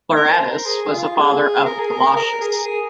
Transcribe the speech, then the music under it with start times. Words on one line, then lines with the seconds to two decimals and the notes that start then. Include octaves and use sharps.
Pleuratus was the father of Glaucias.
0.16 A#4
0.33 C5
0.50 A#4
0.66 G#4
0.91 F4
1.16 G#4
1.66 A#4
1.80 G#4
1.91 A#4
2.16 A#4
2.41 G#4
2.66 G#4